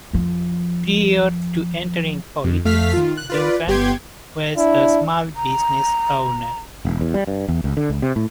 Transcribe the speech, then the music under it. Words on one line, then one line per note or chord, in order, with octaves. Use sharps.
Prior to entering politics, Duncan was a small business owner.
F2 F3
F2
F2 A3 F5 F6 B6
D#3 F4
F#6
F4 B4 D5
G1 B3 G4 G5 C6 G#6
D4 E4
A#5
E1
E2
G3
G2
E2
C#2
D3
C#2
C3
A2